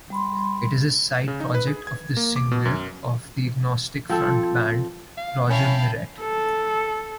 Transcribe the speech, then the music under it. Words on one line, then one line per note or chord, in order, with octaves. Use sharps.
It is a side project of the singer of the Agnostic Front band, Roger Miret.
G3 B5 C6
C#3
D#4
B4
G#4
G#6
A#3
D6
B2
F#2
F3 C4 A4
F5
C#4 E4 F5 G5 A5 B5
A4